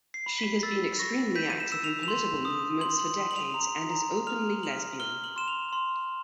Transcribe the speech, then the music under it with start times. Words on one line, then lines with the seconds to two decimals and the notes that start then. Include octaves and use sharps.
She has been extremely active in political movements for decades and is openly lesbian.
0.14 C7
0.26 B5
0.38 B6
0.63 E6 A6
0.99 C#6 A#6
1.36 G6 B6
1.50 D#7
1.60 E7
1.72 E6 E7
1.84 F7
2.03 F7
2.08 C6 F#7
2.45 D#6
2.81 C6 F#7
2.99 F#7
3.18 C6
3.31 F#7
3.36 F7
3.54 A#5 F7
3.90 A#5
4.27 F6 F7
4.63 F6 F#7
5.00 F6 G7
5.24 F#7
5.36 C6 E7
5.48 F7
5.73 C6